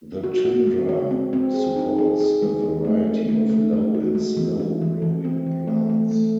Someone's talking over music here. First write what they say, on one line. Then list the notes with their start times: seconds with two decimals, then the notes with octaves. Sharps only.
The tundra supports a variety of low and slow-growing plants.
0.24 F#4
0.45 F#4
0.67 G#3
0.89 C#5
1.11 C4
1.33 C4
1.54 G#4
1.76 D#4
1.98 G#4
2.20 G#4
2.42 G#3
2.63 G#4
2.85 A3
3.07 C#4
3.29 A3
3.50 A3
3.73 A3
3.94 F#4
4.15 G#3
4.37 E3
4.60 E4
4.81 E3
5.02 E3
5.25 C4
5.47 E3
5.68 A3
5.89 A3
6.11 A3